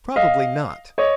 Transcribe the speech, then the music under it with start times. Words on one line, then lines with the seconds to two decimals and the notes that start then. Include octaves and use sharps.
Probably not.
0.16 D#5 F5
0.98 C#5 D#5